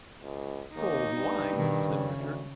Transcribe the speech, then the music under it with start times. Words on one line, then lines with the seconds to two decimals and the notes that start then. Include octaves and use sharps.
"So do I," said Richard.
0.22 C#2
0.76 D#2 D#4
1.14 G2
1.56 B2 D#3
1.85 C#3
2.17 D2